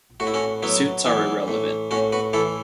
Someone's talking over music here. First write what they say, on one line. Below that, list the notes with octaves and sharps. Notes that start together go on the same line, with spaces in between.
Suits are irrelevant.
A2 F#4
E4
C#4 F#4
F#3 B3 E4
E3 B3 E4
A2
A2 C#4 F#4
F#4 B4
E3 E4 A4